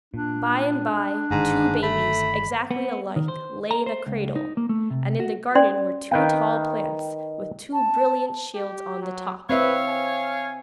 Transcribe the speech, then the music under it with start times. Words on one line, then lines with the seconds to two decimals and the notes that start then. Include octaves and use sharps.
By and by two babies, exactly alike, lay in a cradle, and in the garden were two tall plants, with two brilliant shields on the top.
0.14 A#2 D4
1.31 G1 G#2 D#3
1.82 A3 B5
2.71 B3
3.16 D#3
3.28 C5
3.71 A#5
3.86 C5
4.07 C#2
4.36 D#4
4.57 A#3
4.69 A3
4.90 C3
5.20 F#4
5.55 C#4 D5 C6
6.11 D#3 B4 F5 G5
7.73 A5
8.55 G4
9.02 F#3
9.50 C4 B4 C#5 E5 F5
9.88 G#5